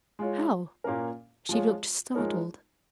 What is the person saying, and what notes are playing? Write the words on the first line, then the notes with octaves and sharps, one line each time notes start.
"How?" She looked startled.
G#3 F4 C#5
A#2 A#3 C#4 A#4
F3 G#3 F4 C#5
F3 G#3 D#4 A#4 C#5